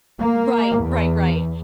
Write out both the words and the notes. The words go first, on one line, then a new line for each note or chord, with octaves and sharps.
Right, right, right.
A#3
E2